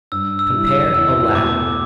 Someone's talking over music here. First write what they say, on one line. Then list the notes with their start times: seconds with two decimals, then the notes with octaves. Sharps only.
Compare ALLOW.
0.12 G2 E6
0.39 E6
0.52 G3 E4
0.67 E6
0.94 E2 E6
1.35 B2 A3 E4 D6